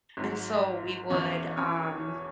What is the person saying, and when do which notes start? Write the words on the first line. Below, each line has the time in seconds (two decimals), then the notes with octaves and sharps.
and so, we would, um,
0.17 G#1 G#2 F#3
1.10 E1 E2 E3 C#4 C#5
1.57 C#4 C#5